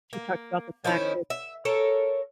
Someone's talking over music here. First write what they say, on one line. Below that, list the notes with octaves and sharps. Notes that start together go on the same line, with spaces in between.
she talked about the fact that
A#3
D#3 F3 C#4 E4
E5
A4 A#4 C#5 A5